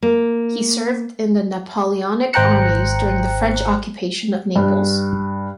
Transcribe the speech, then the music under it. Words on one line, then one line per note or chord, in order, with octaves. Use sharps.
He served in the Napoleonic armies during the French occupation of Naples.
A#3
G#1 C5 G5 A#5 F#6 C#7
G2